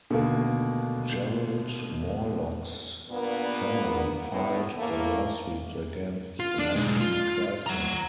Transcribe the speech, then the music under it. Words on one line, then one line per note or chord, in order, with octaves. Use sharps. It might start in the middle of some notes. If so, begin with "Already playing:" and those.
Gerald Morelock's family filed a lawsuit against Lane and Chrysler.
D#2 B2 D3 A3 A#3
G2 A#2 A#3 B3
A2 B3
A2 E3 A3 A#3
F4
D4
B1 G#3
F4
F#5 A#5